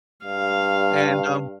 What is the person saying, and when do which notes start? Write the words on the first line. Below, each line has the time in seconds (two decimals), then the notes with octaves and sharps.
And, um
0.25 G2 F5